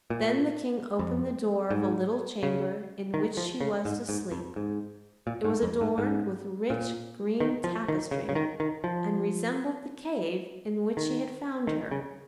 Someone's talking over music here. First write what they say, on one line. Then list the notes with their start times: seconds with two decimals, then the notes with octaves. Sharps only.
Then the King opened the door of a little chamber in which she was to sleep; it was adorned with rich green tapestry, and resembled the cave in which he had found her.
0.10 A#2
0.99 F2
1.70 G#2
2.43 C#3
3.14 D#3
3.37 F3
3.61 C#3
3.85 G#2
4.09 G#2
4.32 F2
4.56 G#2
5.27 A#2
5.45 G#2
5.63 F2
5.81 G#2
5.98 G#2
6.70 A#2
7.40 D#3
7.64 F3
7.88 D#3
8.11 C#3
8.29 C#3
8.35 D#3
8.60 D#3
8.84 F3
10.97 D#3
11.67 D#3
11.91 C#3